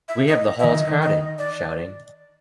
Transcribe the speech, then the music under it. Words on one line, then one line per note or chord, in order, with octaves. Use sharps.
We have the halls crowded — shouting.
E5
D#5
E5
D#3 D#5
D#5
D5